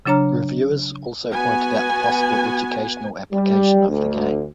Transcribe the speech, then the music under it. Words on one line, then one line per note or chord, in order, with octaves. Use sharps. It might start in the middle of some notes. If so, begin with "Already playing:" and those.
Reviewers also pointed out the possible educational application of the game.
C#3 F#3 D4 C#5 A#5 F6
B3 F#4 G#5
G3
D2